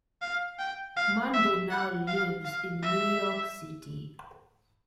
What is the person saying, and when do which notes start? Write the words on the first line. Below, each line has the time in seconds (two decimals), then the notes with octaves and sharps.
Monday now lives in New York City.
0.22 F5
0.59 G5
0.96 F5
1.34 E5
1.70 F#5
2.07 F5
2.45 F5
2.82 E5